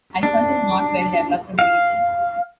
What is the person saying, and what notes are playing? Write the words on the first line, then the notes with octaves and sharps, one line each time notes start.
Agriculture is not well developed in the region.
D4
F5